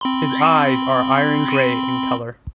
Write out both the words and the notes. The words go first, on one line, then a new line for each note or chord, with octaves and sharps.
His eyes are iron-gray in color.
C4 B5 C6